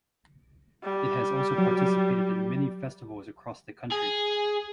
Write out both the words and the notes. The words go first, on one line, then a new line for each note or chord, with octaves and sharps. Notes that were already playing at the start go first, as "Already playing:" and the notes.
It has also participated in many festivals across the country.
G3
F#3
G#4